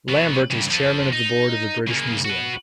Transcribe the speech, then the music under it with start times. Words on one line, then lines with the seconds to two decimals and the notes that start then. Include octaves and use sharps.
Lambert is Chairman of the board of the British Museum.
0.08 F#3 B3
0.50 G2 C#3
0.70 F3 A4
1.13 D#4
1.88 C#3 A#3
2.25 F#4 B4